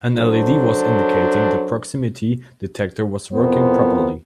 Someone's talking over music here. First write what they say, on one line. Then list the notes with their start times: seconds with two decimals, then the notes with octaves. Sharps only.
An LED was indicating the proximity detector was working properly.
0.15 F#2 F#3 D4 A4 C5
3.33 F2 B3 E4 A#4 C5